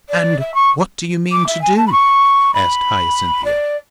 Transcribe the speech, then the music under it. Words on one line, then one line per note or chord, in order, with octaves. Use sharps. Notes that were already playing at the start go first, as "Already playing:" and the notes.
'And what do you mean to do?' asked Hyacinthia.
D5
E5
C#6
D6
E5
G#5
A5
B5
C#6
B5
D5